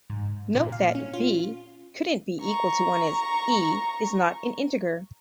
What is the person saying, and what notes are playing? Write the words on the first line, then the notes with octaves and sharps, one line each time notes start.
Note that "b" couldn't be equal to one as "e" is not an integer.
G#2
A#2
F5
C#4
F4
A#5 C#6